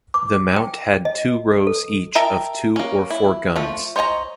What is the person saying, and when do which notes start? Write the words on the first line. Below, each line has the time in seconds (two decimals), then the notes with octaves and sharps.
The mount had two rows each of two or four guns.
0.14 D6
0.56 G5
1.05 D#5
1.67 A4
2.15 A#4 E5 G5 A5
2.76 A#3 C#4
3.10 E4
3.56 F3 A3
3.96 C5 C#5 D#5 G#5 A#5